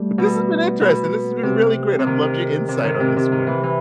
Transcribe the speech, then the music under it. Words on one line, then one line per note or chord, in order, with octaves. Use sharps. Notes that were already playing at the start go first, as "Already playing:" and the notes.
But this has been interesting, this has been really great. I've loved your insight on this one.
Already playing: G3 A3
B2
B2
C3
C3
D#3
D#3
C3
D#3
C3
C3
D#3
E3
E3